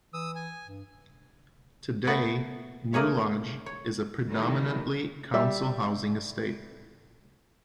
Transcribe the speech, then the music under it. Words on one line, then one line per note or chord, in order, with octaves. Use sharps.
Today New Lodge is a predominantly council housing estate.
E3 D#6 E6
G#5
G2
A#2 A3 B3 F#4 F#5
A3 A#3 G#4 C#5 F5
C#5
D#3 G3 A3 A#3 D#4 E4
G3 E5